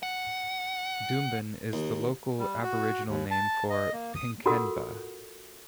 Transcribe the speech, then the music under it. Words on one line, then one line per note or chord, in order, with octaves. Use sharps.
Doomben is the local Aboriginal name for Pinkenba.
F#5
D#2
G3
F#4
D#2
A5
D#5
A#3
D#6
F4 F#4 A4 A#4 F#5 D#6